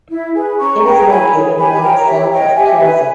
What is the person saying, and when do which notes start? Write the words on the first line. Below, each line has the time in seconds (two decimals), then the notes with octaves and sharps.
It is located about south of Plaza.
0.10 E4
0.35 G#4 B4
0.59 C#4 A#5 C#6
0.84 G#4 B4 G5 A#5
1.08 E4 G#5 B5
1.34 G#4 C#5
1.57 G4 G#5 B5
1.82 A#4 C#5 G5 A#5
2.06 G4 C#5 E5
2.31 C#5 D#5 G5
2.55 G4 E5 G#5
2.80 B4